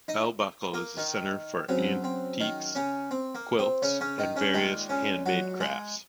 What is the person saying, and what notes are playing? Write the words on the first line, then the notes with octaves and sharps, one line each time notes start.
Bell Buckle is a center for antiques, quilts, and various handmade crafts.
D#4 D#5
A#3 A#4
D#3 D#4
C#3 F#3 C4
C4
D#3 D#4
C#3 C#4
C4
A#3
C4
C#3 C#4
C#3 C#4
D#3 D#4
C#3 C#4
A#2 D#3 G#3 D#4
C#3 C#4
F#3 F#4
G#3 G#4